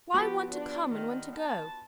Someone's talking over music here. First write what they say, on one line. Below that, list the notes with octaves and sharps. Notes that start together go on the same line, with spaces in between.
'Why one to come and one to go?'
F3 B3 F#4 G4
D4
D#3
A5